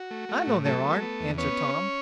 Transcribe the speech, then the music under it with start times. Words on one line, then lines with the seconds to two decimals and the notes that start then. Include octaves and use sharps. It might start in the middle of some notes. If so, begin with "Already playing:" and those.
"I know there aren't," answered Tom.
Already playing: F#4
0.11 A3
0.29 A3
0.47 A2
0.65 F#3 A3 A4
0.84 B3
1.02 B3
1.20 E2
1.38 B3 C#4 C#5